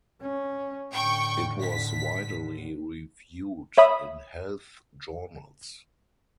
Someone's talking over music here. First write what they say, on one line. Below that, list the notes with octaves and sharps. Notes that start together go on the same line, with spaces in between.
It was widely reviewed in health journals.
C#4
A2 D3 G5 C#6
B6
C#5 E5 B5 D#6